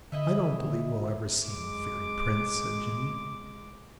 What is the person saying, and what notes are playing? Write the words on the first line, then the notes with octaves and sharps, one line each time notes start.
"I don't believe we'll ever see any fairy prince," said Jimmie.
D3 E4 D#5 E5
G#3 D6